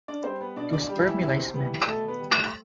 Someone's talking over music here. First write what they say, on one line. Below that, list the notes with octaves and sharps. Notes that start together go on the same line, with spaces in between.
To 'spermulise' men.
D4 D5
G3 C4 C5
B3 B4
B2 D4 D5
D4 D5
G3 G4
E3 E4
C3 E3 E4
C4
E3 G3 B3
B2 A3 A4
B3 B4
G3
A3 A4